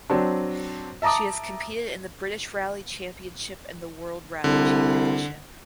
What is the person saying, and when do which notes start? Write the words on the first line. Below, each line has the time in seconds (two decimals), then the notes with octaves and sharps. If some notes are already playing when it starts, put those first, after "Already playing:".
She has competed in the British Rally Championship and World Rally Championship.
0.10 F#3 C4 D4
1.02 E5 A5 A#5 D6 D#6
4.44 C2 D3